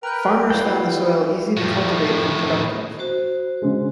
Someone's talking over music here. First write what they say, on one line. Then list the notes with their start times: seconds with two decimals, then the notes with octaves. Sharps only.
Farmers found the soil easy to cultivate and productive.
0.03 A#4 B4 G5 A#5 F#6
0.50 G3 E4 B4 F5 G5
1.57 F2 A2
2.99 F#4 C5
3.62 C#3 G#3